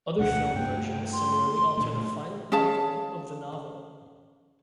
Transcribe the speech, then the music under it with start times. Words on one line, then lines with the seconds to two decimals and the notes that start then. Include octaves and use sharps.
Other film versions similarly alter the final outcome of the novel.
0.19 D2 B2 D4 F#5
0.55 G2 A3 A#3 G5
1.12 C6
1.77 A#2 D3 A3
2.52 C#4 G#4 F5 A5